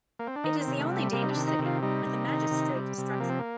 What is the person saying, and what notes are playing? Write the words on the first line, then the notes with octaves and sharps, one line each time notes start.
It is the only Danish city with a magistrate structure.
A#3
C4
D4
D#3 D#4
C4
C3
A3
G3
A3
C3 A#3
D#4
D4
D#3
D#4
C3
F4
G3 D#4
C3
D#3
C3
G3
C3
F3 A#3
C4
A#3